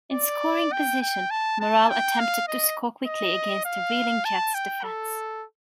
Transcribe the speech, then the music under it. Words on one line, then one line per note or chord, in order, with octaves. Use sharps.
In scoring position, Morrall attempted to score quickly against a reeling Jets defense.
D5
G5
G5
A5
A5
G5
F5
D#5
D#5
F5
A5
G5
A4